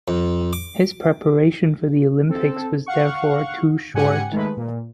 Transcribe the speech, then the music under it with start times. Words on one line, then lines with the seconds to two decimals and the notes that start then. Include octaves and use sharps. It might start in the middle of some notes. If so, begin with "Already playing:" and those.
His preparation for the Olympics was therefore too short.
0.08 F2
0.53 D6
2.29 C4 A4
2.86 F5 F#5 C#6
3.94 G#2 C#3 G4 F#5 G#5 C#7
4.32 D#3 G#3 A3 B4
4.57 A#2